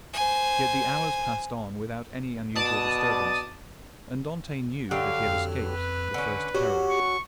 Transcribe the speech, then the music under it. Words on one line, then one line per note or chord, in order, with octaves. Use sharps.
Yet the hours passed on without any unusual disturbance, and Dantes knew that he had escaped the first peril.
C5 G#5
B2 D5 A5 D#6
D3 F#3 G4 F5
F2
B4
D3 C#4
F#3 C#4 F#4 G4
C#6